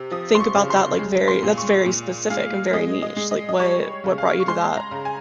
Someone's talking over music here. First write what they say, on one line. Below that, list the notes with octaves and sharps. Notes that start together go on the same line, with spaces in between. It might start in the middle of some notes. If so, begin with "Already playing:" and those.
think about that, like, very that's very specific, and very niche, like, what what brought you to that?
Already playing: C3
F3 D#6
C6
C#6
C#3
C6
G#3
C6
A#2
C#6
A#2
G#3 F5
G#3 D#5
D#5
G#3
D#5
D#5
G3 C#5
C#3
F5
C#6
G#3 C6
A#5
C#3
G#5